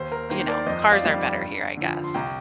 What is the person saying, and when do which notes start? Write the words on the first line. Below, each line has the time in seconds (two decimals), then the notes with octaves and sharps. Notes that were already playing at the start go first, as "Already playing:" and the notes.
you know cars are better here, I guess.
Already playing: D#2 C5
0.12 A#4
0.29 D#3 A#3 C5
0.48 A#4 D5
0.66 F2 C5 D#5
0.92 D5 F5
1.04 D#3 G3
1.40 G2
1.77 D3 F3
2.04 C6
2.14 C2 G5 A#5